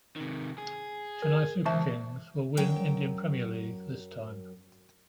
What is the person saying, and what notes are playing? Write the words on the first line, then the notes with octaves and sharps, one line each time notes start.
Chennai Super Kings will win Indian Premier League this time.
C3 D#3
G#4
A#4
C#2 E3 E5 A5
F#2 F#3 G5